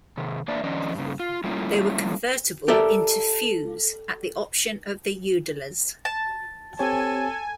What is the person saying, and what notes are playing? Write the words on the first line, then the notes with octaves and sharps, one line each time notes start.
They were convertible into feus at the option of the udallers.
C3 D#3
A#3 D4 B4 D5 E5
D#3 F3 C#4 D5 D#5
G2 C#3
F4
G3 A3 A#3 C#4 E4 F4
G4 A4 A#4 D5 E5
A5
C4 G4 A4 C#5 G#5